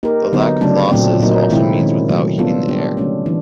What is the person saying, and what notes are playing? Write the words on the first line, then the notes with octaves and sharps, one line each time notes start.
The lack of losses also means without heating the air.
A#3 D#4 G4 A#4
D3 F#3 B3 D#4
C#3 F#3 A3 D4
A#2 F#3 A3 C4
A#2 F#3 A#3 D#4
C3 D#3 G#3 C4 E4
D#3 G#3 C#4
C3 D#3 F#3 A3
G3 B3 D4 F4 A4
G3 A#3 D4 G4
D3 F#3 A3 C#4
E3 D4